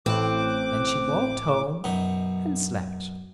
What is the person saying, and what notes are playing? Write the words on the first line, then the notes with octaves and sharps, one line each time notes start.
Then she walked home and slept.
A1 A2 C4 D6 F#6
F#2 B2 D#4